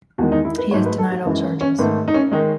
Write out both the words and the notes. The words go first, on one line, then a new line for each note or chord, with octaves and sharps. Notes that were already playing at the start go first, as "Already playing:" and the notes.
He has denied all charges.
E2 D#3 G#3 F#4
D#4
E4
B4
G#2 F#3 A3 C#5
B4
A4
F#4
F#2 E3 G#3 B3
C#4
C#4
G#2 D#3 A3 B3
D#4
C#4
D#3 G#3 D#4